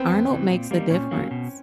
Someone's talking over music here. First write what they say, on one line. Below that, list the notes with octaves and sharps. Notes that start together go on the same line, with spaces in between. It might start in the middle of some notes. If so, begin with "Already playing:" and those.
Arnold makes a difference.
Already playing: B3 C4
F2
C#3 E3
A#2
G3 A#3 D#4
A#2 C#4
F#3 A#3
B2